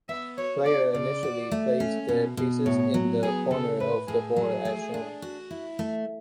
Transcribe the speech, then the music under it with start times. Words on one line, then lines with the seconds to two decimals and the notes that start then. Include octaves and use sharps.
Players initially place their pieces in the corners of the board as shown.
0.09 B3 E5
0.37 F#4 C#5
0.66 D4 D5
0.94 C#3 D5
1.23 F#4
1.52 A3
1.80 C#4
2.09 B2
2.37 B2
2.65 A2 C#5
2.94 F#3
3.23 B3 G#4
3.51 C#3 A4
3.80 A2 B4
4.08 A2 G#4
4.36 F#3 G#4
4.65 A3
4.94 D4
5.22 F#4
5.51 E4
5.79 A3